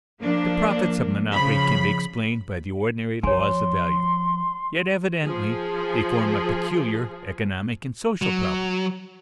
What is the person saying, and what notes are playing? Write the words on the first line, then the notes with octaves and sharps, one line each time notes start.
The profits of monopoly can be explained by the ordinary laws of value, yet evidently they form a peculiar economic and social problem.
F3 A#3 D4
C#3 F3 B5
F3 C#5 G#5 C6
F3 G#4
F#3